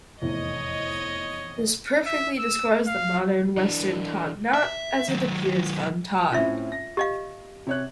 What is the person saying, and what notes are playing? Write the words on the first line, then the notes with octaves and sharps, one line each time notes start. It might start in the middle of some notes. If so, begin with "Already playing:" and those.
This perfectly describes the modern western top knot as it appears untied.
F1 E2 A2 C#5 D#5
E5
E6
F5
E3 D4
E5
D#3 F#3
A2 C4 C#4 F4 E5
A#6
G4 D#5 F5
C3 C#5 F#6